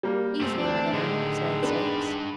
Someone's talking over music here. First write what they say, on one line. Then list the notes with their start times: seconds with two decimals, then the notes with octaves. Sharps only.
"Easily, madam," said Sikes.
0.03 G3 A#3
0.42 F#2 A3 C4
0.58 D2 D4
0.93 A2 D3 D#3 G#3
1.63 B3 D4 B4